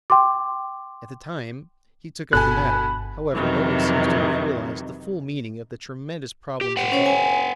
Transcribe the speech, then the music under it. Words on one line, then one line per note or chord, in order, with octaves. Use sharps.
At the time he took up the matter, however, no one seems to have realized the full meaning of the tremendous problems involved.
G5 C6 D6
G1 B2 A4 G#5 B5 F#6
F2 C3 D#3 E3 F#3
G4
B4 F#5 G5
C#4 C5 C#5
G#5